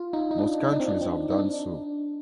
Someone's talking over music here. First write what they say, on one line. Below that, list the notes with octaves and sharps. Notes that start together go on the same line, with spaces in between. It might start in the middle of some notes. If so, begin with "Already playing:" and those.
Most countries have done so.
Already playing: F4
D#4
D#4
D4
D#4
D4
C4
D4
C4
D#4
D4